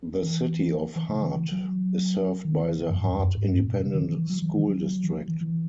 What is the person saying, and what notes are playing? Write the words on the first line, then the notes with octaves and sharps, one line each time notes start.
The city of Hart is served by the Hart Independent School District.
E3
E3
C#3
E3
E3
F#3
D#3
E3
E3
F#2
G#2
E2
F#2
G#2
F#2
G#2
B2
C#3
D#3
E3
E3
F#3
E3
D#3
F#3
E3
E3
E3